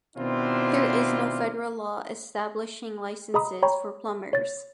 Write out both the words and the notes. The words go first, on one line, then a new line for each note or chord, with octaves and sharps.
There is no federal law establishing licenses for plumbers.
B2 D#3 C4 D4 E4 F4
G#4 D#5 A#5 B5 D#6
C#5 G5 A#5 B5 C#6
C#5 A6